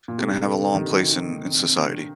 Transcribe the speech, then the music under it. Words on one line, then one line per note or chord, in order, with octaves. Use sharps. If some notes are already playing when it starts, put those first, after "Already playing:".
gonna have a long place in in society.
A#2
C3 A4
G4
A4
D3
D#3 G4
F#4
F#4
D#4
A#3
D4
C4
C4
D4